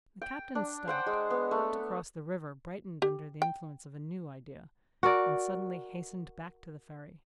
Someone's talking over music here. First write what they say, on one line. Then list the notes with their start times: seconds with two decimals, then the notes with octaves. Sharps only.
The captain stopped, looked across the river, brightened under the influence of a new idea, and suddenly hastened back to the ferry.
0.22 G5
0.55 D4
0.88 C5 F#5 G5
1.06 G#3
1.30 B3
1.51 A3
3.02 G4
3.42 G5
5.03 F#4 A#4 D5